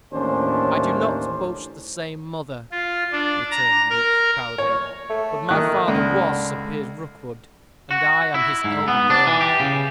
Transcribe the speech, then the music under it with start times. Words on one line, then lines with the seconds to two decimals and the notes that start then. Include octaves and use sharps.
"I do not boast the same mother," returned Luke, proudly, "but my father was Sir Piers Rookwood, and I am his elder born."
0.13 D#2 A2 E3 C#4 D4 C5
2.72 F4
3.12 D4
3.51 A#5
3.90 A#4
4.58 C#5
5.10 A3
5.49 D#3 F#6
5.88 C#2 D3
7.91 F#4
8.34 E4
8.64 G#2
8.88 B3
9.10 D4
9.27 E3
9.41 G4
9.60 C#3